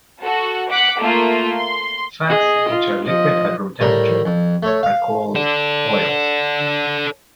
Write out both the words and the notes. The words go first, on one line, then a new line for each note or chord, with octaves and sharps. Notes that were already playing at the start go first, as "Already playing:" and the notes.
Fats, which are liquid at room temperature, are called oils.
F#4 A4
F#5 D6 F#6 B6
A3 A#3 F4
C6
G#4 D#5
F4
F3 D#5
A2 G3 A#4
F2
A3 C#5
F5
A4 D5